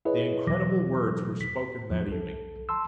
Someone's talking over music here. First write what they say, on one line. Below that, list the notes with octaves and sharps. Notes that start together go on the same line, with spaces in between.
The incredible words were spoken that evening.
E4 G#4 B4 C#5 D#5
E2 B2 E3 F#3 D6 A#6
B6
E2 F3
B1 A4
A5 C6 E6